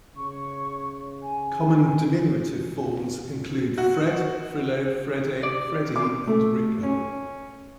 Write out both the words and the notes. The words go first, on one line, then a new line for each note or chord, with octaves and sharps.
Common diminutive forms include: Fred, Frillo, Fredde, Freddy and Rikke.
C#3 C#5 C#6
G#5
F#4
D5
D6
A3
C#4